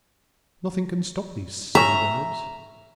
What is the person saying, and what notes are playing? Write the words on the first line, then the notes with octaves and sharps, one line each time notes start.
Nothing can stop these silly birds.
A3 C#4 E5 A#5